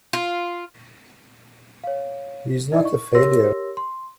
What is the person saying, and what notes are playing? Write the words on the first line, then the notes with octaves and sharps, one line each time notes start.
He's not a failure!
F4
C#5 F5
D#4 E4 D5 D#5
C#6
G4 A#4 C#5 C6 E6 A#6
C6